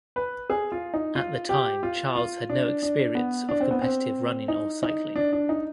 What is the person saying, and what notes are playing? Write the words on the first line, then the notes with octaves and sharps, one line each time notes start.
At the time Charles had no experience of competitive running or cycling.
B4
G#4
F4
D#4
F4
G4
F4
F4
D4
D4
B3
D4
C4
B3
C4
D#4
D#4
D4
D4
D#4